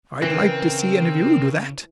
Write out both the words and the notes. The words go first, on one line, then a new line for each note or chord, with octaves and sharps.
I'd like to see any of you do that!
C#3 E3 C4 A#4